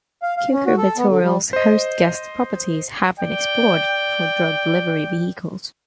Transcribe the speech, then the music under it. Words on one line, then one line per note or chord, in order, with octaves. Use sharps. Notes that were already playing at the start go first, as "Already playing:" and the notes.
Cucurbituril's host-guest properties have been explored for drug delivery vehicles.
F5
F5
C#4
F#4
A4
B3
D3
G3
C5 D#5
D5 G5